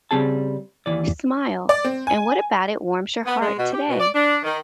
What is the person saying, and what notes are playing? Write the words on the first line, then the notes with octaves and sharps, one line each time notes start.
smile, and what about it warms your heart today?
C#3 G3 G#3 C4 G#4 A5
D#2 E3 D5
D5
C4
G#5
B3
G#3
B2
G4
B2
D5
D4
D#3